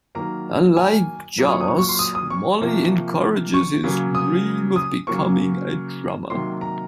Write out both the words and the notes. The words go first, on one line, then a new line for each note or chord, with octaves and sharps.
Unlike Zosh, Molly encourages his dream of becoming a drummer.
D#3 F#3 A#3 A#5
G#5
A#2 F#3 A#3
D#6
C#6
D#6
C#6
C#6
C6
D#6
D#6
C#6
C3 F3 A#3
C#6
C#3 F#3 A#3
D#6
D#6
C#3 F#3 A#3 C#6
C3 D#3 F#3 A#3 C6
A#5